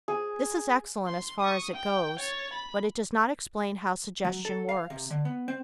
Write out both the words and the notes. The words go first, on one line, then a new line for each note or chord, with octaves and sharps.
This is excellent as far as it goes, but it does not explain how suggestion works.
G#4
C6
C#6 D#6
G5
C#5 A6
B5
F#3
A4
F5
C3
D3
B3
C4